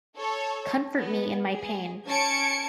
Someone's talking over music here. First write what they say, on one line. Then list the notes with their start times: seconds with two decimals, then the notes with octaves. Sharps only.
Comfort me in my pain.
0.17 A4 C#5
0.96 B3
1.51 G#4
2.08 C#4 A5 G#6 C#7 D7